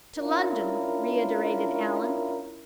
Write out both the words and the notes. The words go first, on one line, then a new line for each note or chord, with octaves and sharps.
"To London!" reiterated Allan.
C#4 D4 E4 F4 A#4